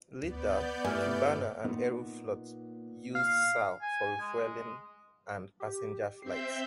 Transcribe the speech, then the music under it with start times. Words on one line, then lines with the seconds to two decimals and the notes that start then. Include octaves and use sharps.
Later, Cubana and Aeroflot used Sal for refueling and passenger flights.
0.23 D2 B3 D5 G6
0.84 G2 E3 A3 G4 F6
1.65 A#2 B3 D#4
3.15 F5 F6
3.82 G#5
4.21 G#3
5.60 G4
6.22 C4 E5 G6 C7